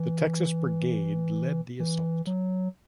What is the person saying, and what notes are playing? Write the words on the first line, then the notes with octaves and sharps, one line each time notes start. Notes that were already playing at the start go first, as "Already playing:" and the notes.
The Texas Brigade led the assault.
Already playing: E3
E3
F#3